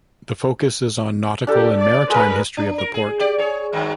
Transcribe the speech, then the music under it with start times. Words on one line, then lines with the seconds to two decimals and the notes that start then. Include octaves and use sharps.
The focus is on nautical and maritime history of the port.
1.47 D4 G4 A4
1.80 D5
2.10 G#3 A#4 B4
2.57 D4
2.78 A#4
2.94 G#4
3.20 G4 D5
3.38 G#4 C#5
3.73 G2 D#3 F#3